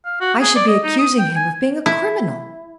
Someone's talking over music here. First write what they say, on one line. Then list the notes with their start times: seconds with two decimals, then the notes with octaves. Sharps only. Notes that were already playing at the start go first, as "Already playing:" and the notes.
I should be accusing him of being a criminal.
0.05 F5
0.21 F#4
0.41 G#4
0.55 D5
0.68 D#5
0.84 D#4
0.99 D#6
1.19 G5
1.36 G#5
1.86 E4